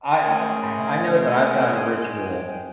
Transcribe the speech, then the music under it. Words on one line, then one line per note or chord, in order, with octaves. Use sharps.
I I I know that I've got a ritual,
G#3 A3 C#4 G#4 A#4 G5 G#5